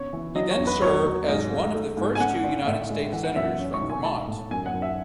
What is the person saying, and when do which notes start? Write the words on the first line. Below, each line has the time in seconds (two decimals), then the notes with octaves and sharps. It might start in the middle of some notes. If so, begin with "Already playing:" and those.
He then served as one of the first two United States Senators from Vermont.
Already playing: C#3 B3 C#5
0.13 E3
0.35 F#3 D#5
0.51 C#5
0.58 E2
0.67 B4
0.82 F#3 C#5
1.05 F#3
1.28 G#2 D#5
1.52 A3
1.74 A3
1.97 G#2
2.15 G#5
2.20 C#3 F#5
2.44 G#1
2.66 A2 E5
2.90 G#3
3.12 E3 F#5
3.23 F#5
3.36 F#2 E5
3.59 C#4
3.74 C#6
3.81 B1
3.90 G#5
4.05 G#3 A5
4.27 A2
4.51 F#2 G#5
4.66 F#5
4.74 F#2
4.82 E5